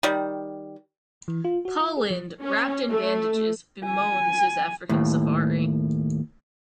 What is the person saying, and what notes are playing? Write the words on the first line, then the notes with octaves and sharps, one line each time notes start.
Paul Lynde, wrapped in bandages, bemoans his African safari.
D#3 G3
E3
F4
F#4
F4
G#4
F3
C#4
A3
G#5
D#2 A2